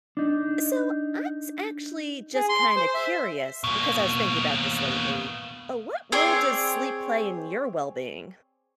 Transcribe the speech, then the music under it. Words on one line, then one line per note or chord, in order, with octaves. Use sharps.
So I was actually just kinda curious, because I was thinking about this lately. Uh, what role does sleep play in your well-being?
D4 D#4
G#4
C6
C5
E5
B2 A#3
C4 G#4 C#5 D5